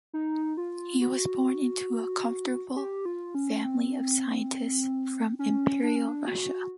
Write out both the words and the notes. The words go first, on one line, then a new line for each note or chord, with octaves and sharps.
He was born into a comfortable family of scientists from Imperial Russia.
D#4
F4
F#4
G4
F4
C#4
C4
C#4
D4
C#4
D4
F#4